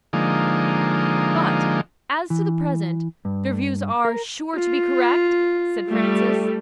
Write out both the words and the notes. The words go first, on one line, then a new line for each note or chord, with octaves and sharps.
"But, as to the present, their views are sure to be correct?" said Francis.
D3 F3 G#3 A#3 D#4
E3
G2
A#4
F4
G3 A3